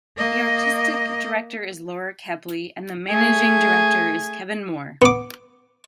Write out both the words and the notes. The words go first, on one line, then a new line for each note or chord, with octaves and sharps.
The Artistic Director is Laura Kepley and the Managing Director is Kevin Moore.
A#3 D#5
A3 G#4 G#6
B3 D6